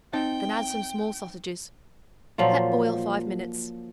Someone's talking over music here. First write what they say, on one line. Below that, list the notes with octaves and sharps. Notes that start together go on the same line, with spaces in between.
Then add some small sausages. Let boil five minutes.
C4 D#4 G5 A5
A#2 F3 F#3 F4